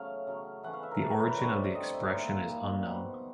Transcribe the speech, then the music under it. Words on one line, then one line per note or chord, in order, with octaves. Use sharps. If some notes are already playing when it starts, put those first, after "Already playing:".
The origin of the expression is unknown.
Already playing: C#3 F#3 A3 F5
C#3 F#3 A3
E3 A3 C#4 F#5
F5
E5
A#4
E3 A3 C#4 A4
B4
A#4
B4
D3 G3 C4 C#5
D5
D3 G3 C4 D#5
E5
A#2 G3 A#3 D#4
A#2 G3 A#3 D#4
B2 G3 C4 D#4 F#5